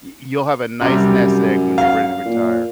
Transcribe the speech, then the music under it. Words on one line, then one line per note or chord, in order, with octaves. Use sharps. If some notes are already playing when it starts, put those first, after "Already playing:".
y you'll have a nice nest egg when you're ready to retire.
F#2 C3 G3
F5
A#2